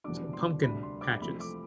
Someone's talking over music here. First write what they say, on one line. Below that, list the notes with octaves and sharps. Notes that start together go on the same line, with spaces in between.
s pumpkin patches.
F1 E2 B2 G3 D4 D6
C6
D2 C3 G3 D4 B5
C6
D6
F2 E3 A3 C4 E4 B5
D6